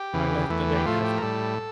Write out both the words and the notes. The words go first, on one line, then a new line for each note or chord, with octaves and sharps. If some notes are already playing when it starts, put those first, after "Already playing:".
I left a day after.
Already playing: G4
E2 C#3 E3
E2 E3 A3
G4
A2 F3 A3 F4
G4
A#4
A2 G3 A4